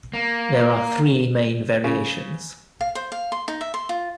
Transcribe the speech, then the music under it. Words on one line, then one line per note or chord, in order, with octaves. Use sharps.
There are three main variations.
A#3
C#3
F5
C5
F5
C6
D#4
E5
C6
F4